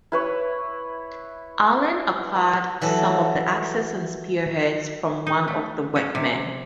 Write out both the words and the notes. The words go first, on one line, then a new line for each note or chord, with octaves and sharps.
Allen acquired some of the axes and spearheads from one of the workmen.
E4 B4 C#5
E3 F#3 G4 A4
D#4
A3
C#4
C3